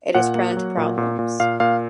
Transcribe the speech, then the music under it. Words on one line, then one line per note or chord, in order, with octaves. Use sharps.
It is prone to problems.
A#2 F#5
A#3
F#3
A#2
A#2
A#2
A#2 F5
A#2 F5